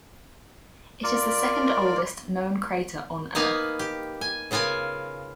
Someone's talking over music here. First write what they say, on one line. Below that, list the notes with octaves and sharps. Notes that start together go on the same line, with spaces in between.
It is the second-oldest known crater on Earth.
F4 A#4 D5
A#3 B3 D#4 B4 F5 G#5
G4
G#5
C#3 B3 F4 A#4 G#5